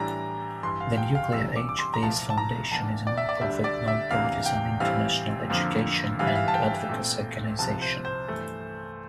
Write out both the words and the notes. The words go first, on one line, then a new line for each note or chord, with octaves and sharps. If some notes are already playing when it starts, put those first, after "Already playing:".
The Nuclear Age Peace Foundation is a non-profit, non-partisan international education and advocacy organization.
Already playing: A2 E3 G3 D4 A#5
G2 E3 G3 C6
F5
G5
F5
C3 E3 G3 D4 E6
D6
D6
C6
A#5
C2 A#2 F3 A#3 A5
A5
A#5
E2 E3 A#3 D4 A5
D5
E5
D5
D2 D3 G3 D4 E5
D5
E5
E2 C3 E3 A#3 D4 F5
G5
A2 E3 G3 C4 F5
F2 D3 F3 A#3
G2 E3 G3 F5
E5
F5
A5
G5
A#2 A3 C4
C2 C3 F3 A5
C5
C5
G2 E3 A3